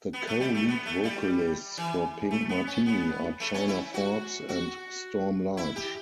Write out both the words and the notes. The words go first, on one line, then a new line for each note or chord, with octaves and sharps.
The co-lead vocalists for Pink Martini are China Forbes and Storm Large.
B3
A3
G3
A3
B3
A3
G3
E3
A3
B3
C#4
B3
A3
C#4
E4
F#4
F#4
E4
G4